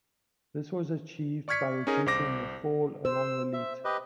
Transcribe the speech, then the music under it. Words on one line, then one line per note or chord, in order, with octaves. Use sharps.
This was achieved by reducing the fall along the leat.
D5 C#6 F6 G#6 B6 C#7
C#4 D#4 G#4 A#4
C2 C5 D6 A#6
C5 E6
E5
G4 B4 D#5